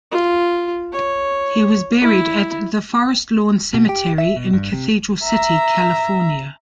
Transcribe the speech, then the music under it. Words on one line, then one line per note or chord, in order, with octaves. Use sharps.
He was buried at the Forest Lawn Cemetery in Cathedral City, California.
F4
C#5
E4
B2
G4
E5
B2
G2
C3
E5 A#5